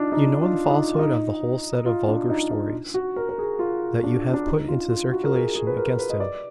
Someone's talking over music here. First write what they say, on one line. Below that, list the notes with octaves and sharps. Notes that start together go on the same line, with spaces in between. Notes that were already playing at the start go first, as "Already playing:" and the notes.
You know the falsehood of the whole set of vulgar stories that you have put into circulation against him.
Already playing: D4 D#4 F4
D#4
F4
D#4
F4
D#4
F4
D4
D#4
D#4
F#4
A#4
A#4
G#4
F4
D4
D4
D#4
F4
F4
F#4
A#4
G#4
G#4
B4
A#4
B4
D#5
D5